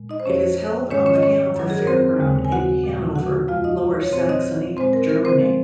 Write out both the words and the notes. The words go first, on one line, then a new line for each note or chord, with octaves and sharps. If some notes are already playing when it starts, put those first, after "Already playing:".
It is held on the Hanover Fairground in Hanover, Lower Saxony, Germany.
Already playing: A#2 G#3
D#4 D#5
C5
F2 C3 F3 C#4 C#5
G#2 D#3 G#3 C#4 C#5
C#4 C#5
D#5
C#4 C#5
F#2 D#3 F#3
G#4
A#4
C4 C5
D#2 C#3 G#3
G#5
F#4 F#5
A#2 F3 G#3
F#4 F#5
F2 C3 F3 G#3 F4 F5
D#4 D#5
C#5
A#2 F#3 C4 C5
C#5
D#4 D#5
A#2 G#3 C4 C5
A#4
A#4
C4 C5
F3 G#3